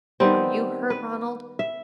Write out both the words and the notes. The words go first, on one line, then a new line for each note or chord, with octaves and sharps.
Are you hurt, Ronald?
D#3 G3 B3 C4
B4
E5